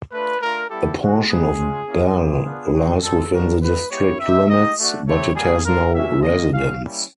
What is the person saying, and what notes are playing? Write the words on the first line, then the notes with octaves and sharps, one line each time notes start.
A portion of Bell lies within the district limits, but it has no residents.
A3 D4 F4 B4
A3 D4 F4 A#4
G3 B3 E4 G4 A4
G#3 C#4 F#4
B3 D#4 G4 G#4
G#3 C#4 F4
A#3 C#4 E4
G3 B3 E4 G4 G#4
B3 D4 F4
C4 D#4 F#4
G3 C4 D#4 A4
G3 B3 D4 F#4 A#4
G3 A#3 D#4 B4
G#3 B3 E4 G4 C#5
C4 D#4 G4 E5
A#3 D#4 G4 D#5
A3 D4 F#4
A3 C4 E4 G4 C#5
G3 A#3 C#4 F#4 G#4
B3 D4 F4 A#4
A#3 C#4 F#4 E5
A#3 C#4 F4 D#5
G#3 C#4 F#4 F5
G3 A#3 C#4 E4